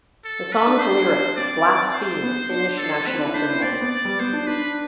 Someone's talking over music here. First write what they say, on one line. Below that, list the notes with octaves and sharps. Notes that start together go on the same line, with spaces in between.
The song's lyrics blaspheme Finnish national symbols.
A4
B4
D4
C5
C4 D5
C5
B3
D4
A4
C4 B4
D4
E4
D4 C5
E4
C4 D5
C4
B3
D5
G3
B3 C5
D4
D4 B4